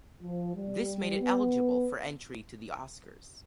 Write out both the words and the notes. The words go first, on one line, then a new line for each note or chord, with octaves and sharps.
This made it eligible for entry to the Oscars.
F3
G3
B3